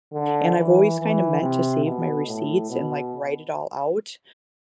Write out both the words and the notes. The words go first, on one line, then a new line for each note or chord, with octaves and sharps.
and I've always kinda meant to save my receipts and, like, write it all out,
D3
E3
E3
C3
B2
A2
B2